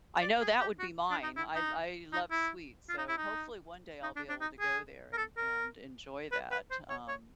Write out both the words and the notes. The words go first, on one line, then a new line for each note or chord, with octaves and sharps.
I know that would be mine, I I love sweets, so hopefully one day I'll be able to go there and and enjoy that, um,
D5
G#4
G4
F#4
D4
D#4
E4
D#4
D#4
E4
F4
D#4
E4
D#4
D#4
D4
D4
D#4
G#4
A#4
A4
A#4
B4
B4
C5
C#5
C#5